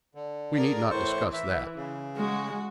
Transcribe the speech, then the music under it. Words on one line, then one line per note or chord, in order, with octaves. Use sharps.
"We need not discuss that."
D3
G#4 A#4 D5
A2 E3 C5 C#6
E5
C#3
G#3 F#4